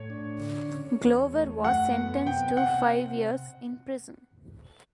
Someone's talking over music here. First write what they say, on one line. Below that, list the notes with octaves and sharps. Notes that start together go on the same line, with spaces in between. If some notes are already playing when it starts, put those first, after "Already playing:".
Glover was sentenced to five years in prison.
Already playing: A2 C#5
D4
D3
C#4
E2
A3
F#2 F#5
B3
C3 G5
C3 F#5